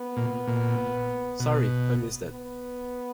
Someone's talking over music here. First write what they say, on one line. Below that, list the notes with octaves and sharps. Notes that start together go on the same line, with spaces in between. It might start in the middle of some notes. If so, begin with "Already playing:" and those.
Sorry, I missed that.
Already playing: B3
A#2
A#2
B2
B3